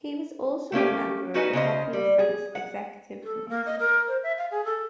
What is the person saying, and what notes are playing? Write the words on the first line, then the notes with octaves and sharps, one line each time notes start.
He was also a member of the Popular Front's executive committee.
A3 A#3 C#4 G4
C#4 D#4 F#4 B4 D#5 G#5
C#3 C#4 C5 D#5
G3
G#4
F#5
A4
A#3
D#5
A#4
C5
E5
F5
G#4
A4